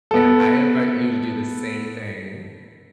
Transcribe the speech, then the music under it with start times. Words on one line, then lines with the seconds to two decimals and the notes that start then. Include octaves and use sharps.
And I invite you to do the same thing.
0.11 B3 A4